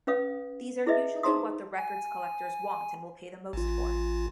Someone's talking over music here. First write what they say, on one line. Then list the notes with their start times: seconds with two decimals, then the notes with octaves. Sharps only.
These are usually what the records collectors want and will pay the most for.
0.07 C#4 B4 F5 D#6
0.86 E4 G#4 B4 D#5 E5
1.23 D#4 G#4 C5 A#5 C6 D#6
1.79 G#5
3.53 A1 F4